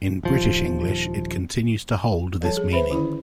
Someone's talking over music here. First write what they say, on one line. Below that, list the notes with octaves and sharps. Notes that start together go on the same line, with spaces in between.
In British English it continues to hold this meaning.
D#1 F3
F3 G3 A4 C#5 A5
G#4
B4 C5 E5 B5
D3 D#3 C#4 E4 B5